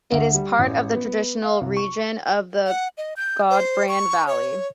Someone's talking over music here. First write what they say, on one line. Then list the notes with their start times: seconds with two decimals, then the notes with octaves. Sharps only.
It is part of the traditional region of the Gudbrand Valley.
0.12 D2
0.34 G3
0.59 A1
0.93 B3
1.42 F5
1.61 C2
1.77 C#6
2.66 F#5
2.98 D#5
3.17 G6
3.50 C5
3.89 C#6
4.27 C#5